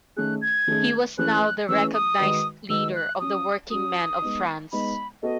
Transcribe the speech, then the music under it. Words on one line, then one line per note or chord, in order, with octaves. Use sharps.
He was now the recognized leader of the working-men of France.
D#3 A3 C#4 G#4 F#6
G#6
D#3 A3 C#4 G#4
E3 A3 C#4 G#4 B4 F#6
E3 A3 C#4 G#4 B4 E6
D#6
D#3 G#3 D#4 F#4 B4
D#3 G#3 D#4 F#4 B4 E6
F#6
F#3 C#4 F#4 D#6
F#3 C#4 F#4 D#6
G#3 B3 D#4
G#3 B3 D#4 B5
B3 F#4 A4 D#5